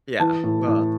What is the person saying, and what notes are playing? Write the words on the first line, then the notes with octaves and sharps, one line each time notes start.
Yeah, well
E3 A5
A2
A2